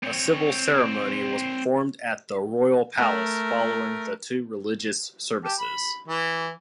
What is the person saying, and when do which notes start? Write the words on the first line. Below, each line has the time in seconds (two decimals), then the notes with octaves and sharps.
A civil ceremony was performed at the Royal Palace following the two religious services.
0.03 C4 C#5
2.97 A3 A#4
5.44 G4 A5
5.59 B5
6.08 E3